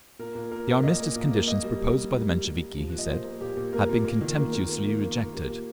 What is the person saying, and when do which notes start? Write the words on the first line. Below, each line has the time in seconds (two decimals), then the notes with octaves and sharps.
The armistice conditions proposed by the Mensheviki, he said, had been contemptuously rejected.
0.19 A#2 A#4
0.35 A#2
0.51 A#2 A#4
0.67 A#2
0.84 A#2 D#5
1.00 A#3
1.16 A#2
1.31 A#3
1.48 A#3 D#5
1.64 G3
1.80 G3
1.96 G3
2.12 G3
2.28 G3
2.44 G3
2.60 G3
2.76 F3
2.92 A#2
2.98 D#5
3.08 A#2 C5
3.24 A#3
3.41 A#2 G4
3.57 A#2
3.73 A#3 A#4
3.89 A#2
4.05 A#3
4.21 D#3
4.37 A#3
4.53 A#3
4.69 A#3
4.85 A#3
5.01 A#3
5.18 A#3
5.34 A#3 G4
5.49 A#2